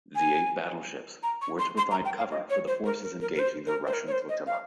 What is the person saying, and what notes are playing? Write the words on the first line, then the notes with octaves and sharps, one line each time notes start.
The eight battleships were to provide cover for the forces engaging the Russian flotilla.
G#5
A#5
C#6
C6
C6
A#5
G5
F5
D#5
C#5
C5
A#4
A#4
A#4
A#4
C5
A#4
C5
A#4
C#5
C5
D#5
F5